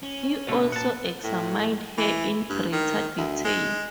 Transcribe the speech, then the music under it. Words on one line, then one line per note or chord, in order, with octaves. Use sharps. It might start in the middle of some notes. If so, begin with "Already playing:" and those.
He also examined hair in greater detail.
C#4
B2 D3 A3
A#2 F#5 A5
A2
E3
G2
D#3
D2
G#3